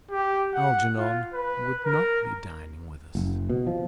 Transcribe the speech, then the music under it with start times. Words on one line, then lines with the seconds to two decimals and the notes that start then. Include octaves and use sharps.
Algernon would not be dining with us.
0.11 G4
0.54 F#5
0.98 F4
1.34 B4
1.85 A#4
3.15 F#1
3.49 B2
3.67 F3